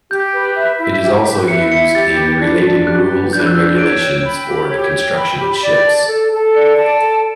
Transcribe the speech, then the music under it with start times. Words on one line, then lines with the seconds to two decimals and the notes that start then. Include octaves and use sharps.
It is also used in related rules and regulations for the construction of ships.
0.10 G4 G6
0.33 B4
0.56 E5
0.79 E4
1.03 G4
1.25 B4 B6
1.48 E5 C#7
1.71 E4 C#7
1.95 G4 A6
2.17 B4
2.40 D4
2.64 D4
2.86 G4 F#6
3.10 B4
3.32 D4 G6
3.40 F#6
3.46 E6
3.55 D4 F#6
3.78 C#5 D7
4.01 G5
4.24 B5
4.47 G4
4.70 C#5
4.94 G5
5.16 B5
5.39 G4
5.62 D5
5.86 A5
6.08 A4
6.31 A4
6.54 D5 C#7
6.77 A5
6.85 D7
7.01 A4